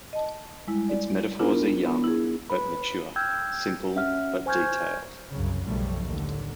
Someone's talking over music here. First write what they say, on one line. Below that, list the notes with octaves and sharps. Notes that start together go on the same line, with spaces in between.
Its metaphors are young, but mature, simple, but detailed.
D#5 A5
G3 G#3 E4
D5
B3 D4 E4 F4 A#4
B3
E4 G#4
B4 B5
G5 E6 F6 G6 G#6
C#4 E5 F#5 F6
C5 G#5 C#6 F6 G6 G#6
C2 F#2 C#3
B1 F#2 C#3 F3 G3 A3
D#2 A2 D3